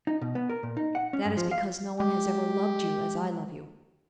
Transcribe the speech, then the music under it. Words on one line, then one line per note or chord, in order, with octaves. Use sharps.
"That is because no one has ever loved you as I love you."
D#4
B2
B3
A#4
A#2
D#4
F#5
C#4
G2
F3
F5
G#3 G4